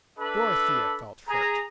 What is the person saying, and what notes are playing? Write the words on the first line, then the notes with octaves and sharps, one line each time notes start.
Dorothea felt hurt.
D4 A4 B4 E5 B5
G#4 A#5